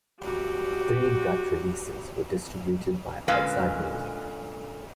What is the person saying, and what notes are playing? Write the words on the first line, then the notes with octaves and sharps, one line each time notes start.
Three Gut releases were distributed by Outside Music.
F#4 G4
A#2 D3 G#3 C#4 B4 F5